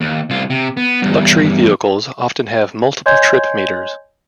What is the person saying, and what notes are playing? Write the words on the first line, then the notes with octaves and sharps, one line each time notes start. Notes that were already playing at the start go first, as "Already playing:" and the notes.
Luxury vehicles often have multiple trip meters.
D#2
C2 F4
C3
B3
E2 G2
C#5 D#5 G#5 C6 G6 G#6